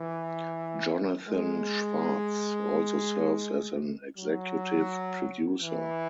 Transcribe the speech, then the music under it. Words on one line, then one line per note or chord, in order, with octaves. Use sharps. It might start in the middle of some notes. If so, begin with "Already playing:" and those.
Jonathan Schwartz also serves as an executive producer.
Already playing: E3
G#3
F#3
E3